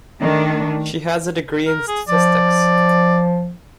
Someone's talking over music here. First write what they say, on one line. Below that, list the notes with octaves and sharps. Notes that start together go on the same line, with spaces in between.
She has a degree in Statistics.
D#3 A3 D4
A#4
G#4
F3 D5